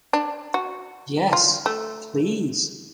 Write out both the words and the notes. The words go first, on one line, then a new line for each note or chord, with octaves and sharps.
Yes, please.
D4
F#4
F4
A3